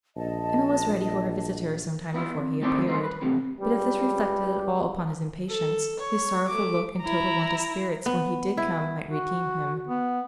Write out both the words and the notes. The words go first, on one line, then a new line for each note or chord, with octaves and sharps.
Emma was ready for her visitor some time before he appeared; but if this reflected at all upon his impatience, his sorrowful look and total want of spirits when he did come might redeem him.
A#1 D#5 A5
B3 E4 F4
F2
D#3 A3 C4 E4 C5 D5
D2 G2 A3 D#4 C5
B4
F2 A2 C3 E3
C#2 G3 B4
A4
C#5
A3 D6
E4 A#5
B3
E4
F#4
B3